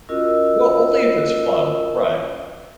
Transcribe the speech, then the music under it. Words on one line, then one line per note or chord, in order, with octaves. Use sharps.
Well, only if it's fun. Right.
C#4 F4 F#4 A#4 D#5 E6